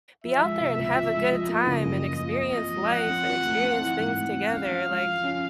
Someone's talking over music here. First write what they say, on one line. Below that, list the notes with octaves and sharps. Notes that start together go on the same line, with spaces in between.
be out there and have a good time, and experience life and experience things together. Like,
F3 E5
G#3
C3
C#2
F3
G#3
F3 D#5
A#3
C#3
F#2
F3
A#3
C4 D#5
F3
G#3
F3 F#5
C4
F3
A3
C4
E3
G#2 F#5
A3
C4
C#4 F5
F3
G#3
F3
C#4